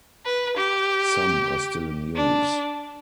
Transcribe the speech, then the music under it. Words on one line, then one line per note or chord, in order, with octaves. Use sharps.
Some are still in use.
B4
G4
D4